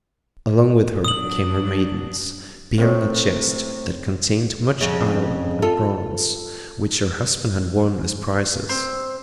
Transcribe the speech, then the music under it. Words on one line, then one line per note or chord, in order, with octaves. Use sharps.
Along with her came her maidens, bearing a chest that contained much iron and bronze which her husband had won as prizes.
F#3 D4 D#6 F#7
A2 C3
F2 C#3
F4 A4
C4